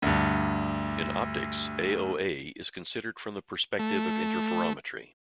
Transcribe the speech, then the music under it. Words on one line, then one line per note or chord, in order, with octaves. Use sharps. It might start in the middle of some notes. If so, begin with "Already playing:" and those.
In optics, AoA is considered from the perspective of interferometry.
D2 G2
A3